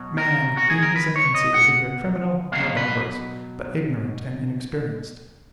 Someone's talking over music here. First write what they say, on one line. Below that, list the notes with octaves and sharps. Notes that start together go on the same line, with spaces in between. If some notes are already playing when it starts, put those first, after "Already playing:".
Man, in his infancy, is neither criminal nor barbarous, but ignorant and inexperienced.
Already playing: B2 F#3
A#4
F#4
G#4
A#4
B4
C#5
D#5
F#5
B2 F#3 F5
B4